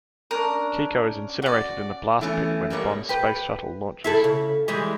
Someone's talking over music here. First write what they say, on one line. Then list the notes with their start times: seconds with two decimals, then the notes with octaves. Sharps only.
Kiko is incinerated in the blast pit when Bond's space shuttle launches.
0.31 C#4 D4 A#4
1.42 F#4 D5
2.21 E3 A3 B3 C#4
2.70 F#2 B2 G3 A#3 C#5
3.09 G4 B4
4.04 E4 G#4 A4
4.24 C#3
4.68 E3 G3 G#3